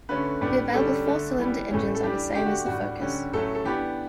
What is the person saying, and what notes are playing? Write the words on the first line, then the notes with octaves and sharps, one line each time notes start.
The available four-cylinder engines are the same as the Focus.
D3 A3 C#4 B4
A2 G3 B3 D4
B4
D3 G3 C#4 A4
D3 A3 D4
E3 G3 B3
A2 E3 A3 C#4
A4
E3 G3 D4 G4
D3 A3 D4 G4
F#4
A2 G3 D4 F#4
D3 G3 C#4
A2 F#3 A3 C#4 A4
A4
E3 B3 D4 G4